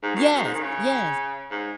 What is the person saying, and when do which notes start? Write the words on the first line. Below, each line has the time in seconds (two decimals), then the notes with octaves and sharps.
Yes. Yes.
0.03 G#2
0.15 F#2
0.35 F#2
0.44 G#2
0.54 D#3
0.63 C#3
1.51 G#2